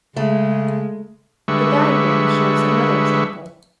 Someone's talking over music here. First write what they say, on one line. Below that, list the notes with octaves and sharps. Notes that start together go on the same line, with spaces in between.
The diagram shows another example.
C#3 G#3 A3
D3 G3 G#3 B4 E5 C#6